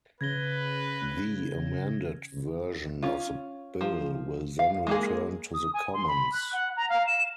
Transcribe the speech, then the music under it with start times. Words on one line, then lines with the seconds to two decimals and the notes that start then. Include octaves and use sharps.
The amended version of the bill will then return to the Commons.
0.21 C#3 B4 G#6 A#6 G7
3.02 C#4 F4
3.81 F3
4.59 F5
4.87 G#3 A#3 G#4
5.54 D#6
5.74 G#5
5.93 C6
6.08 B5
6.33 F#6
6.53 F#5
6.77 A#5
6.90 F5
7.07 E7